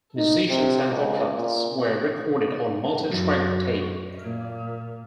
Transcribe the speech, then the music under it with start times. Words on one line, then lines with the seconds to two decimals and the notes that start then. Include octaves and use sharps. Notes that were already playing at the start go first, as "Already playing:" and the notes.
Musicians and vocalists were recorded on multi-track tape.
0.17 D#4
0.49 C3
0.90 C#2
1.37 A#2
3.07 F#2
4.23 A#2